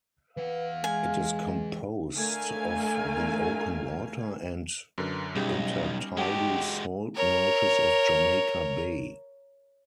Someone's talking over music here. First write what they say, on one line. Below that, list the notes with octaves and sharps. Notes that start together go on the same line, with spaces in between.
It is composed of the open water and intertidal salt marshes of Jamaica Bay.
E3 B4 F5 F#5
G#3 G#5
D3 A3 A#4 F5 G#5
F#2 D3 A#4 B4
B1 G3 C#4 D#4 E4 G4 G#4
G#3 F#4 G4 F#5 G5 A5
A#4 C#5